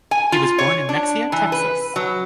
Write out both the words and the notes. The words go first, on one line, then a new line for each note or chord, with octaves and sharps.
He was born in Mexia, Texas.
G#5
F4
C#5
D4
E3
B4
F#3